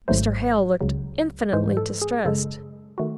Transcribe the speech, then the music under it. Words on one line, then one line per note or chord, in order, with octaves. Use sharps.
Mr. Hale looked infinitely distressed.
G#1 G#2 F#3 A3 C5
C#2 C#3 F#3
G#2 E3 G#3 C5
A4
G#4
F#2 C#3 G#3 A4
D#3 A3 F#4